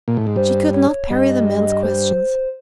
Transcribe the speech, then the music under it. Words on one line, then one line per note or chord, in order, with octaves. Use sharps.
She could not parry the man's questions.
A#2
A2
G#2
G2 C5
C#5
G2 D#5
D#5
C5